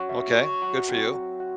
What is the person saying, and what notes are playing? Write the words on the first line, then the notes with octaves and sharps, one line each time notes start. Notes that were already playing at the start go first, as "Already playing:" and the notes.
Okay. Good for you.
Already playing: C#4 F#4
E5
C#5
F#3
C4
F#3
F#4